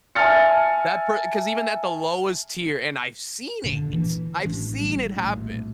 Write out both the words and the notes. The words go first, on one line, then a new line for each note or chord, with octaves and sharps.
That per 'cause even at the lowest tier and I've seen it. I've seen it happen.
E5 G#5 A5 F6 A6 C#7
A#2 D3
E3
A1 D4
G3 D#4
D1 A#1